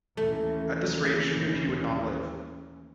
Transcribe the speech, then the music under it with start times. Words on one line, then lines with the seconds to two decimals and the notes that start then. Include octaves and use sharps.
At this rate she knew he would not live.
0.17 D#2 E3 A3 C#4